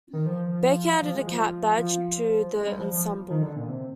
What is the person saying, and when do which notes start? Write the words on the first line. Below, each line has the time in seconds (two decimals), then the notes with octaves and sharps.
Baker added a cat badge to the ensemble.
0.13 D#3
0.26 F3
1.02 F3
1.15 G#3
1.27 F3
1.78 F3
2.54 G#3
2.67 G3
2.79 F3
2.93 F3
3.30 D#3
3.42 D3
3.56 A#2
3.69 C3